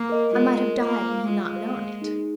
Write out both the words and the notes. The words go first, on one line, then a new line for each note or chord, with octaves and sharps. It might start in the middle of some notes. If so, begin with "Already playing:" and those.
I might have died and he not known it!
Already playing: A#3
A#4 D#5
G#3 F4
A#4 D#5
A#3 F4
C5 F5
G#3 F4
C5 F5
A#3
D#4 G#4